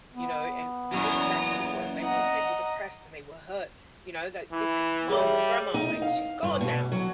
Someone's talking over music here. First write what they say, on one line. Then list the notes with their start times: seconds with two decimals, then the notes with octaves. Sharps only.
you know, and we knew exactly what it was. They were they were depressed, and they were hurt, you know? That "This is mom and grandma," like, "She's gone now,
0.14 B3
0.91 F#2 A#2 E3 A#5 D#6
2.00 D#5 F#5 A#5
4.52 E3
5.09 G3 G#4 C#5 E5
5.74 D#4
6.02 F5
6.43 G2
6.61 B2
6.92 F#3